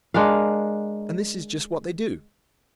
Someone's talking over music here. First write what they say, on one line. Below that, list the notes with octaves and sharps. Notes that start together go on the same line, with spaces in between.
And this is just what they do.
G#3 D4 A#4 F5